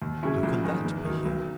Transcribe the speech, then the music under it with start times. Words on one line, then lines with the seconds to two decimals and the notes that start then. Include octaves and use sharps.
How can that be here!
0.02 D#2
0.23 C#3 F#3 C#4 E4
0.43 A#1
0.64 G#2 D#3
0.84 E2
1.05 D#3 F#3
1.25 B1